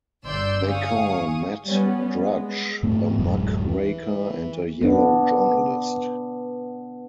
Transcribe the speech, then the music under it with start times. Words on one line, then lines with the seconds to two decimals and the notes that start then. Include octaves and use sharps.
They call Matt Drudge a muckraker and a yellow journalist.
0.25 G1 D5 C6 E6 G6
0.66 G#4 F5 C#6 D#6
1.67 G3 B3 C#4
2.19 G#3 B3
2.83 G#2 A3 C4
3.19 D1 F#2 G#3
3.68 E3
4.81 B3 D4